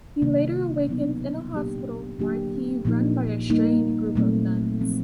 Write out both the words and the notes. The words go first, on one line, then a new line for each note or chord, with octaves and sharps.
He later awakens in a hospital marquee run by a strange group of nuns.
C3 D#3 G3 A#3
B2 F#3 B3 D#4
A#2 F#3 A#3 D4 G4
D3 F#3 A#3 D4 G4
A#2 F3 A#3 D#4
G3 A#3 D#4
A#2 F#3 A3 C4
F3 G#3 C4